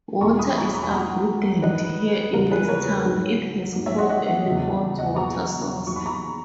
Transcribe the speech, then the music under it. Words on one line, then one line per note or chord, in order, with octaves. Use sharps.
Water is abundant here in this town, it has cold and hot water source.
E2 B2 F#3 A#5 C#6
B5 D#6
A#5 C#6
B5 D#6
A#5 C#6
G#5 B5
G#2 F#3 F#5 A#5
G#2 F#3 B4 D#5
E2 C#3 E3 F#4 A#4
G#4 B4
A#4 C#5
G#2 F#3
G#2 F#3
C#5 E5
D#5 F#5
D#5 F#5
E2 C#3 F#3
D#5 F#5
E2 B2 F#3 A#5 C#6
E2 D#3 F#3 C#6
B5
A#5 C#6